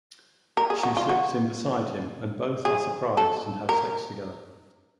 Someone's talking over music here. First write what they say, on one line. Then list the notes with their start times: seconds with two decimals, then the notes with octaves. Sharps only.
She slips in beside him and both are surprised and have sex together.
0.57 A#4
0.70 G#4
0.83 F#4
0.97 F4
1.09 F#4
2.65 G#4
3.17 A4
3.69 A#4